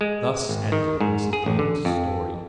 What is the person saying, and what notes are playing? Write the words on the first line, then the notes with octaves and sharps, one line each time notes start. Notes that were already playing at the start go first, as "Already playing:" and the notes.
Thus ended Mrs. Dean's story.
G#3
G#1
D#3
G#2
G#4
A1
D3
F2